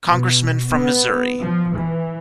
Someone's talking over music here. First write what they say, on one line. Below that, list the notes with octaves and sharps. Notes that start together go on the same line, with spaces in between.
Congressman from Missouri.
B2
B3
F3
E3